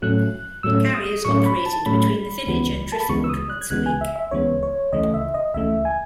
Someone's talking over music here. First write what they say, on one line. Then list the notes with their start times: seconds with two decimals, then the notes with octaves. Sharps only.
Carriers operated between the village and Driffield once a week.
0.02 A2 F#3 A3 C#4 F#6
0.63 A2 F#3 A3 C#4 E6
0.94 D#6
1.25 A2 F#3 A3 C#4 C#6
1.40 C#6
1.46 B5
1.66 A5
1.86 A2 F#3 A3 C#4 B5
2.47 C#2 C#3 E3 G#3 B3
2.92 A5
3.00 B5
3.09 C#2 C#3 E3 G#3 B3 C#6
3.24 E6
3.29 D#6
3.50 F#6
3.61 G#6
3.70 C#2 C#3 E3 G#3 B3 F#6
3.86 G#5
4.01 E5
4.16 E5
4.31 C#2 C#3 E3 G#3 B3 C#5
4.63 C#5
4.93 C#2 C#3 E3 A3 D#5
5.14 E5
5.34 D#5
5.54 C#2 C#3 E3 A3 E5
5.85 G#5